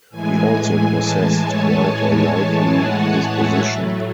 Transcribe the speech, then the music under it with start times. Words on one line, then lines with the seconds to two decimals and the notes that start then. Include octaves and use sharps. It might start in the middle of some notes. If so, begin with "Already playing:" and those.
He also possessed quite a lively disposition.
0.11 A2 E3 G#3 G#5
0.99 A5
1.43 C#5
1.87 A5
2.30 G#5
2.75 F#5
3.04 F#5
3.34 E5
3.63 A2 F#3 A3